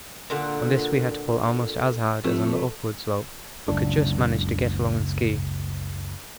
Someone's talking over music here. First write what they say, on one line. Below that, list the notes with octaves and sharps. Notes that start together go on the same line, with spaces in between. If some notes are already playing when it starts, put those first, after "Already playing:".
On this we had to pull almost as hard as on the upward slope, but could just manage to get along on ski.
A#2 D3 F#5
F2 A3
F#1 C#2 D4